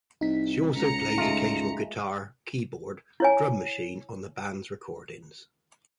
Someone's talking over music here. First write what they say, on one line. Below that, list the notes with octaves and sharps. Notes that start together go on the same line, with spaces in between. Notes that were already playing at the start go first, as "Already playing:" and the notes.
She also plays occasional guitar, keyboard, drum machine on the band's recordings.
C2 D#4 B6
C#2 A#5 C#7
G#3 A3 F4
E4 C#5 G#5